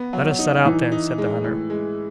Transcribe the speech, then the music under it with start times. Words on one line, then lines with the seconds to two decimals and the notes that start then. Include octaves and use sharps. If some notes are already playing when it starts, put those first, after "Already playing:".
"Let us set out, then!" said the hunter.
Already playing: B3
0.13 F#3
0.39 D#4
0.65 E3 D#4
0.92 D#4
1.18 G#3
1.44 A2
1.70 G#3